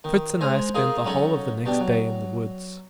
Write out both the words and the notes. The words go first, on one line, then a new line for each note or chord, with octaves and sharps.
FRITZ and I spent the whole of the next day in the woods.
D#3
G#3 C5 G#5 A#5
D#4 F4 G#4 A#4 D#5
F#3 C#4 D#4 A4 C#5
B2 G3 D4
F#3